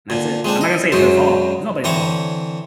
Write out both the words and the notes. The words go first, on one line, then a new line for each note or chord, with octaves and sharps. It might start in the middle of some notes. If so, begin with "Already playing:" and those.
and that's it. I'm not gonna say it's her fault, it's nobody's fault,
A#2 D3
G#3 C4 D4
D#5
F#2 F#3 G#3 C5
D3 E3 C4 C#5 D#6